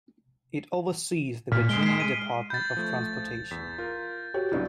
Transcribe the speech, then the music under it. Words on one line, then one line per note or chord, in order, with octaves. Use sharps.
It oversees the Virginia Department of Transportation.
A#2 F6 B6
G#3 C7 D7 G7
B6 C7
D#7
B5 G6 A6
F3 A3
E2 B6
F4 A#4
F#4 G4 C#5
C#2 G2 B2 F#3 D4 E4